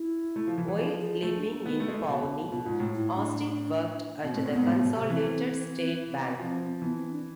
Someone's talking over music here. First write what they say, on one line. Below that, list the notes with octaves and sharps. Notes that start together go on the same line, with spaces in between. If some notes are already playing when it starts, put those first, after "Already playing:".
While living in Pawnee, Austin worked at the Consolidated State Bank.
Already playing: E4
A3
F3
E3
E3
F3 G#4
G#4
A3
D4
D4
B3
A3
G#3
A3
B2
B2 F4
G#2
A2
E4
D4
B2 C4
A2
C4
A2
G#2 B3
A2
B2
C3
E3 C4
C4
C4
C4
F3
E3 B3
C4
D4